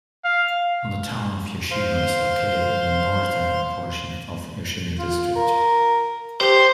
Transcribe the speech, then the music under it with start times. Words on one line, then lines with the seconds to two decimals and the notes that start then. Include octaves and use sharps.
The town of Yoshino is located in the northern portion of Yoshino District.
0.25 F5
1.71 C5 F5 C6
4.99 F4
5.36 A#4
6.41 G4 C5